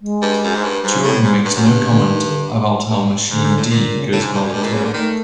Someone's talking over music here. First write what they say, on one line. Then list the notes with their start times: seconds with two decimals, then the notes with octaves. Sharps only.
Turing makes no comment about how machine D goes about its work.
0.02 G#3
0.22 G2
0.43 F#2
0.55 G#2
0.64 G2
0.83 G#2 G3
0.94 F#3
1.04 A2 G3
1.24 G#2
1.45 G2
1.56 F#2
1.66 G2 C#3
1.87 D3
2.07 D#3
2.27 D3
2.88 G2
3.29 G#2 D3
3.44 G#2
3.57 A2
3.70 A#2 D3
3.92 C#3
4.11 A2 C#3
4.22 G#2
4.33 G2 G3
4.43 F#2
4.53 G2 G#3
4.63 A#2
4.73 C#3 A3
4.84 D3
4.94 D#3 A3